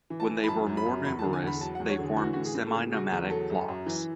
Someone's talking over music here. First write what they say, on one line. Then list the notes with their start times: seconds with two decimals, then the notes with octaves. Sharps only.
When they were more numerous they formed semi-nomadic flocks.
0.10 E3
0.20 A5
0.30 E3
0.43 B5
0.48 F#2 A5
0.67 F#2
0.77 B5
0.86 F#2
1.05 E2 B5
1.19 A5
1.23 D3
1.33 G#5
1.43 E2 B5
1.61 F#3 A5
1.75 F#5
1.80 E2
1.89 C#5
1.99 D3 G#4
2.18 E3 F#4
2.33 F#4
2.37 A2
2.46 G#4
2.55 A2
2.67 A4
2.74 C#3 G#4
2.93 C#3 F#4
3.12 E2 G#4
3.30 F#3 A4
3.50 F#2
3.69 F#2
3.86 E3